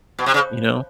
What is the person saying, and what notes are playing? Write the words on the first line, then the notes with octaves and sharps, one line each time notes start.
you know?
B2
C3
C#3